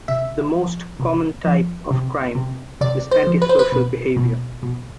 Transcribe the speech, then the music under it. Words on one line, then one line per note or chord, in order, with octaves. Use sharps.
The most common type of crime is anti-social behaviour.
C3 E5
F3
C3
F3
C3
C3
C3 D5
C5
F3
B4
C5
B4
B2
B2
B2